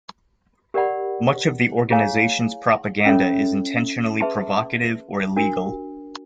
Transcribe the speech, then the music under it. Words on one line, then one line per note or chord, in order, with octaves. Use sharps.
Much of the organisation's propaganda is intentionally provocative or illegal.
G4 A#4 D5 F#5 B5
E4 G#4 C#5 F5 G#5
C#4 F4 A4 C#5 E5
G#4 B4 E5 A5 C6
D4 F#4 A#4